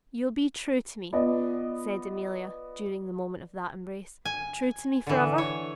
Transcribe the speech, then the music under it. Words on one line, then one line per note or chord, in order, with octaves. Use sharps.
"You'll be true to me?" said Amelia, during the moment of that embrace--"true to me for ever?"
B3 F4 D5 D#5
G#5
D3 E3
C#5